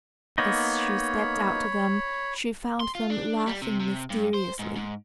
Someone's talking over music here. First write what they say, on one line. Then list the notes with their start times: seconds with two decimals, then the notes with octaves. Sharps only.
As she stepped out to them, she found them laughing mysteriously.
0.38 A#3 B3 D#4 C#5 B5
2.80 C6
2.95 F4
3.10 D4
3.47 G3
3.62 C3
3.80 C3
4.10 G2
4.34 C5
4.59 G#2
4.76 G#2